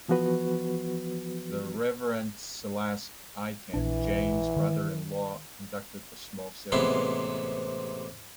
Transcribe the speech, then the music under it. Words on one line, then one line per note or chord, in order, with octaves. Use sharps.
The Reverend Silas Aiken, Jane's brother-in-law, conducted the small ceremony.
E3 F3 B3 F#4 B4
A#1 E3 D4
D#3
A1 C3 G#3 B3 E4 C6